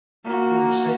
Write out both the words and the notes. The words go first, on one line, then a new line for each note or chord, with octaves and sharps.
You know I'm saying?
A#3 F#4